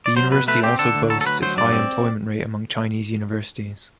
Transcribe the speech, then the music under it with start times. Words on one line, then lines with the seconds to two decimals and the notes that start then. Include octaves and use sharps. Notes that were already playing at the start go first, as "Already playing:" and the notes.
The university also boasts its high employment rate among Chinese universities.
0.06 D5
0.16 F#3 C5
0.32 B2 B4
0.48 A3 B4
0.63 C4 G4
0.79 D3 A4
0.95 D2
1.10 F#3 A4
1.21 A4
1.26 D2 B4
1.42 F#3 C5
1.57 G2 D5
1.73 C4